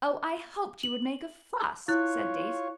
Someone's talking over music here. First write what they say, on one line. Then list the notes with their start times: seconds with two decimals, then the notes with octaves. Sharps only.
"Oh, I hoped you would make a fuss!" said Daisy.
0.83 F#7
1.88 E4 F4 C#5 F#6